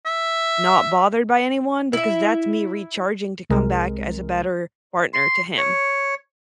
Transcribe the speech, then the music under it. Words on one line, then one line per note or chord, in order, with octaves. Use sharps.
not bothered by anyone because that's me recharging to come back as a better partner to him.
E5
E4 E5
C2 C3 G#3 A#4
C6
C#5